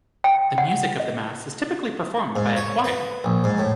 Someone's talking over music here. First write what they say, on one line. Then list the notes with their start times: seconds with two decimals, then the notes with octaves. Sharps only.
The music of the Mass is typically performed by a choir.
0.24 G5
0.58 F#5
1.00 D#5
2.36 G#2
2.56 C#5
2.84 B4
3.24 A#1
3.44 G#2
3.58 A2